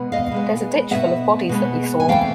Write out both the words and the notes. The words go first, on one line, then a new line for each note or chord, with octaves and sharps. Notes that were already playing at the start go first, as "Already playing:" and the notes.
There's a ditch full of bodies that we saw.
Already playing: B2 G#3 B3
D#5 F5
B2 G#3 B3
B2 G#3 B3 E5 F#5
B2 G#3 B3
G#5
E3 A3 C4 F5 G5